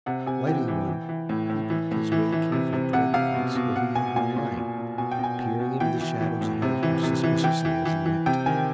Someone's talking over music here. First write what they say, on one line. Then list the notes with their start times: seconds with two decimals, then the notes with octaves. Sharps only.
Lighting one he picked his way carefully toward the place where he had been lying, peering into the shadows ahead of him suspiciously as he went.
0.06 C3 F#5
0.26 C3 G#5
0.47 E3 G5
0.68 E3
0.89 E3
1.09 E3
1.29 A2
1.49 A2
1.70 E3
1.91 A2
2.12 E3
2.32 E3
2.52 C3
2.73 C3
2.93 C3 F#5
3.14 C3 F5
3.35 B2
3.55 B2
3.75 B2 F#5
3.95 B2 G#5
4.16 A#2 G#5
4.36 A#2
4.57 A#2
4.78 A#2
4.98 B2 G#5
5.12 G5
5.19 B2 G#5
5.39 B2
5.60 B2
5.80 E3 G5
6.01 E3
6.21 E3
6.41 A2
6.62 C3
6.83 E3
7.03 C3
7.23 E3
7.44 E3 G5
7.65 E3
7.85 E3
8.06 E3
8.26 C3 G5
8.46 D#3 G#5